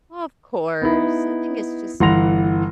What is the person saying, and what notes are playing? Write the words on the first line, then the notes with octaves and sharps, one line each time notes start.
Oh, of course. I think it's just
B3 D#4 E4
G1 E3 F#5 C6 A#6 F7